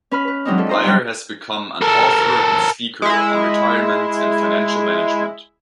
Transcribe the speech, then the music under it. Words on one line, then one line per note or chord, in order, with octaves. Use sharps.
Bleier has become an author and speaker on retirement and financial management.
C#4 B4 B5 F6
B4
E3 F#3 G#3 C4 D4 D#4
C#4 F4 A4
D#4 C5 A#5
G2 F#3 G3
A4 A#4
G#3 E4